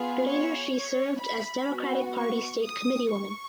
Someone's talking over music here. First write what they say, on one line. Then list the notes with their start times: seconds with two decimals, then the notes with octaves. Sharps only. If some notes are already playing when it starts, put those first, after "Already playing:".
Later she served as Democratic Party State Committee Woman.
Already playing: B3 F4 G#4
0.25 C#5
0.74 C#5
1.21 B5
1.69 B3 F#4
2.16 C#6
2.64 D#6
3.12 C#6